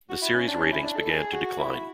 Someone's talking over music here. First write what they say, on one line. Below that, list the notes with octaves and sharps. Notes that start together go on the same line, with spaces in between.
The series' ratings began to decline.
F#4
E4
C#4
D4
C#4
E4
D4
A4
G#4
F#4
E4